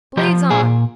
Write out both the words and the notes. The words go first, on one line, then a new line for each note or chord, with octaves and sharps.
Blaze on.
F3 G4
A#2 G#4